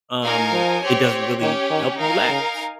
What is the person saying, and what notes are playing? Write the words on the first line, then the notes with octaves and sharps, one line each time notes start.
um, it doesn't really help you relax,
A#3 D#4 A#4 F5 G#5
F3
C4 G4 C#5
D#3 C#4 G4 C#5
D#3
D#3 D#4 A#4 F5 G#5
C#3